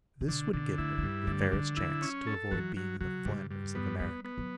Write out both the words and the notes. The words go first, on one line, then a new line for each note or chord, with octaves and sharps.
This would give her the fairest chance to avoid being the Flanders of America.
C#3
B2 D3
B2 D3
A3 E4
A3
G2 G3
D3 A3
D3 G3
F#3 E4
C#4
A4
E3 F#3
F#3
C#3 F#3
G2 C#3
G2
B3
G3 B3
B3
F#3